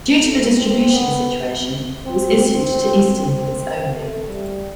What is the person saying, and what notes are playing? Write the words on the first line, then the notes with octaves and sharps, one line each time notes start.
Due to the distribution situation, it was issued to eastern units only.
A3
C4
B3
C4
C4
C4
A3
G3